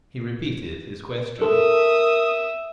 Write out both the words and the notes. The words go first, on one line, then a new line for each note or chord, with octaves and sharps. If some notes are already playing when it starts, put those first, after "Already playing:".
He repeated his question.
A4 A#4 E5 D#6